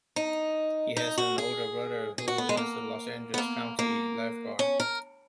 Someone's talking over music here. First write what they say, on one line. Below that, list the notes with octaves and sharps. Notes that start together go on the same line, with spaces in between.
He has an older brother who is a Los Angeles County Lifeguard.
D#4
D#4
F#4
G#4
G#4
F#4
B3
G#3
A#3
B3
A#3
A#3
C#4
A#4